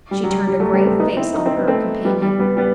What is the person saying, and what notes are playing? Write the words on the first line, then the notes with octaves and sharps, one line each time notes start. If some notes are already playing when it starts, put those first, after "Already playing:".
She turned a grave face on her companion.
G3
F#3
G3
G3
F#3 A3
G3 B3
A3 C4
B3 D#4
C4 E4
D#4
C4
B3
A3 C4
G3 B3
G3
G3 B3
G3 B3